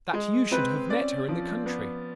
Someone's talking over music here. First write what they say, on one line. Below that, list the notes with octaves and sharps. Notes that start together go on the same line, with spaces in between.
That you should have met her in the country!
G#3
C4 B4
C#4 D5
F3
B3